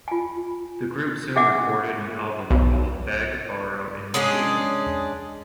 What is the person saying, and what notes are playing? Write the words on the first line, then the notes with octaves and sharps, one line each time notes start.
The group soon recorded an album called "Beg, Borrow and Steal".
F4 G#5
D4 G#4 E5 F#5 D6
B1
G#3 C#4 D4 G#4